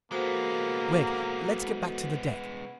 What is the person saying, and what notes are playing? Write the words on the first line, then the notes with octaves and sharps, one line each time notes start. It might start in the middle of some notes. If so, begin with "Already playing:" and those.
"Gregg, let's get back to the deck."
G#3 A#3 B3 F#4 A4 C5